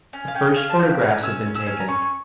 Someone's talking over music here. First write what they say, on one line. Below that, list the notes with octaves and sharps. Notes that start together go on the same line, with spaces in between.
The first photographs had been taken.
C#4
F5
C#4 G5
C#4 F5
A5
A#3 G5
C#4 A#5
C#4 E6
C#4
E6
C#4
A#5
C#4 C#6
C#6